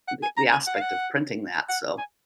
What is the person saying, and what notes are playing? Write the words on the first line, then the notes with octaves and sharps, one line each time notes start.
we we aspect of printing that, so
F#5
G#5
A#5
G#5
F#5
F5
F#5
F#5
G#5